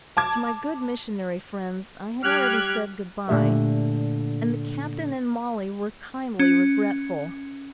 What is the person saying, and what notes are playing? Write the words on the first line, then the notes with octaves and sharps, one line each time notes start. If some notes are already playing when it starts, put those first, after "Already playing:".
To my good missionary friends I had already said good-bye, and the captain and Mollie were kindly regretful.
A5 D6 G#6
G3 G4 F6 F#6 G#6
A#2 D3 A3 G4 E5
C#4